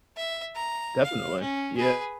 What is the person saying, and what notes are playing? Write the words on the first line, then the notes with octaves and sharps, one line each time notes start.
Definitely. Yeah,
E5
A#5
F5
C#4
G#4 B4